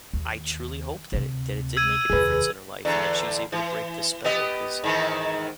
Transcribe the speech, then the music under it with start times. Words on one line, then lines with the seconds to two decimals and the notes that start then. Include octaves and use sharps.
I truly hope that it that it did make a difference in her life and that she was able to break the spell 'cause,
0.13 D#2
1.12 D2 C3
1.77 E6 G#6 D#7
2.10 F1 D#2 G#4 B4
2.85 E2 D3
3.52 E3
4.24 B3 G4 D#5
4.84 G#2 D#3 E3